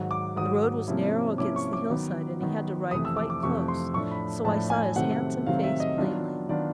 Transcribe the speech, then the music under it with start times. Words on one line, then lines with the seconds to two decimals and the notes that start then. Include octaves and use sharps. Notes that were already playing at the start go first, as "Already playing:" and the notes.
The road was narrow against the hillside and he had to ride quite close, so I saw his handsome face plainly.
Already playing: G#2 D#3 F#3
0.11 D6
0.36 G#2 D#3 F#3 D#6
0.88 C3 F3 A#3 C#4 E4
1.38 C3 F3 A#3 C#4 E4 D6
1.56 C#6
1.73 D6
1.90 D#3 F#3 B3
2.41 D#3 F#3 B3
2.91 F2 C3 E3 A3 D#6
3.05 E6
3.17 D6
3.30 D6
3.43 F2 C3 E3 A3 C#6
3.68 C6
3.94 A2 F3 A3 D4 C#6
4.11 B5
4.44 A2 F3 A3 D4 A5
4.70 G#5
4.96 C3 D#3 F#3 A3 C4 F#5
5.46 C3 D#3 F#3 A3 C4 F5
5.63 E5
5.80 D#5
5.98 D#3 F#3 B3 D4 F4
6.49 D#3 F#3 B3 D4 F4 D5